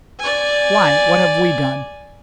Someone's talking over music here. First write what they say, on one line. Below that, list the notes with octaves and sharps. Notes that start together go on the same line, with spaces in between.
"Why, what have we done?"
D5 G#5